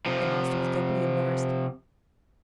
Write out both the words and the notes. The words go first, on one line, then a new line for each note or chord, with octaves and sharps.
The master was doubly embarrassed.
C3 F3